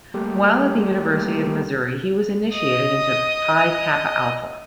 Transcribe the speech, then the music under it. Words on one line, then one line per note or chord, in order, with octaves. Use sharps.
While at the University of Missouri, he was initiated into Pi Kappa Alpha.
G3 A3 A#3 G4
D#5 D#6